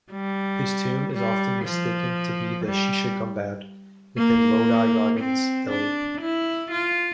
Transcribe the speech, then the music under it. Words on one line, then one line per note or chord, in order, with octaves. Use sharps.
His tomb is often mistaken to be the "Shisha Gumbad" within Lodi Gardens, Delhi.
G3
G3
F3
G3
A#3
C4
D4
E4
F4